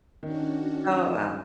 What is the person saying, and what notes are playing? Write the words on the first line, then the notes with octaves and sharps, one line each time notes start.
Oh, wow.
D#3 C#4 D4 F#4